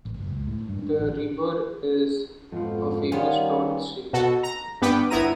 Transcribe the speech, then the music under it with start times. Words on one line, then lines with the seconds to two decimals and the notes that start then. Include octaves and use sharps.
The river is a famous trout stream.
0.05 A1
0.18 F#1
0.31 C#2
0.47 A2
0.69 G2
0.82 D4
0.99 A1
2.52 F2 G#2 B2 F3 F4 A4
3.12 D#3 G3 B3 C#4 F4 B4 G#5
4.13 B2 F#4 A4
4.43 A#5
4.82 G2 B3 B4 G5 D6
5.10 G1 B3 E4 A#5 D#7